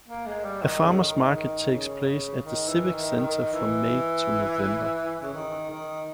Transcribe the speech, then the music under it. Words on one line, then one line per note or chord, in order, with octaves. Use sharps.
A farmer's market takes place at the Civic Centre from May to November.
A#3
G#3
G3
D#3
C#3
D#3
D#3
C#3
D#3
E3
D#3
D#3
E3
C#3
D#3
D#3